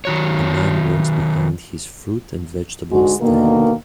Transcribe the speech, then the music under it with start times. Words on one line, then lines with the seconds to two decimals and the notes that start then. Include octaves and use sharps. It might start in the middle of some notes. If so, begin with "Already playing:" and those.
A man works behind his fruit and vegetable stand.
0.05 D#3 F#3 C#5
2.91 G#2 D3 G#3 F#4
3.20 B2 D3 D#3 A#3